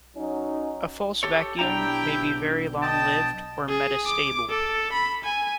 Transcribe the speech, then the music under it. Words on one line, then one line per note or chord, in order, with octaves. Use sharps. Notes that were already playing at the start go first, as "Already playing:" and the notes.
A false vacuum may be very long-lived, or "metastable".
F#3 C#4 D#4
G4 A4 C#5
B1 D4 E4 G4 G5 A#5
D#5 G5 A5
G#4
D6
A4
B5
G#5